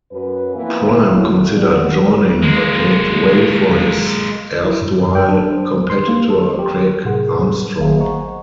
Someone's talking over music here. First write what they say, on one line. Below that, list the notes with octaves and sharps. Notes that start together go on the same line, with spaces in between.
Prime considered joining but made way for his erstwhile competitor Craig Armstrong.
F#2 B4
B2 E3 F3 A#3 C4 E4
F#2 A2 F3 F#3 E4
F#4 G4 A#4 D5
G#3 A#3
E4
G2
F#2
G5
D4
C5
C6
A#3
A4
G4
A2 C3 G#4 A#4 F#5 C6
G#1 F#3 G#4 E5 F5
C5 D#5 F#5 G#5 A#5 C#6